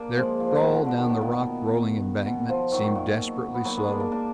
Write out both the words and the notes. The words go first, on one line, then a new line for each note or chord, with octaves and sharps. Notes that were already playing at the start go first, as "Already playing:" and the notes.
Their crawl down the rock-rolling embankment seemed desperately slow.
Already playing: A#3 D4
F3 G#3
F3
A#2
B2
D3
D3
D#3
B2
A#2
B2
B2
F3
D#3 F#3
D#3
A#2
B2
B3
F#3 A#3
G#3 B3
A#3 D4
A#3 D4
A#3 D4